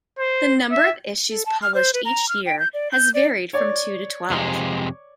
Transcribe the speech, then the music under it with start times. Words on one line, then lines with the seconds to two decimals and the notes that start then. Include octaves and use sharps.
The number of issues published each year has varied from two to twelve.
0.19 C5
0.71 E5
1.29 A4
1.46 A5
1.62 F6
1.75 C5
1.94 B4
2.05 A#5
2.29 F6
2.46 G5
2.59 G6
2.74 D5
2.92 G6
3.14 D5
3.53 C#5 D5
4.30 F2 C3 G#3